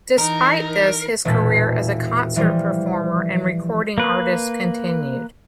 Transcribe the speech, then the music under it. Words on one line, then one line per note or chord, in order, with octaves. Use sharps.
Despite this, his career as a concert performer and recording artist continued.
E3 D#4 A#4
E1 A#2 G#3 A3 B4
E3 F3 G3
A#3 B4